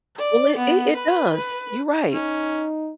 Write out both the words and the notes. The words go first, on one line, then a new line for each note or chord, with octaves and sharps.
Well, it it does, you're right.
D5
B3
B4
B4
C#4 D#4